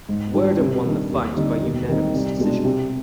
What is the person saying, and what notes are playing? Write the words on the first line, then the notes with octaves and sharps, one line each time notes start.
Werdum won the fight by unanimous decision.
G#2
G3 D4
C3
D#3 G3 D4
D#2
D3 G3 C4 D#4
D#2
D#3 G3 C4 D#4
C2
B2 G#3 D4
C3